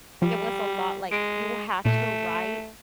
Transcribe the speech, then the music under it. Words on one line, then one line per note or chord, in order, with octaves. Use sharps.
it was a lot, like, you had to write
F3 G3
G#3 D7
A#2 A3